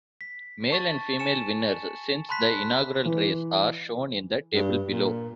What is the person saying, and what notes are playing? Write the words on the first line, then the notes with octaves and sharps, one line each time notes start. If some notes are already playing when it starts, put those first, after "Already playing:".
Male and female winners since the inaugural race are shown in the table below.
B6
A5 C#6 A6
G#5 C#7 E7
A5 B5 C6 F#6 B6
E3
G2
A#2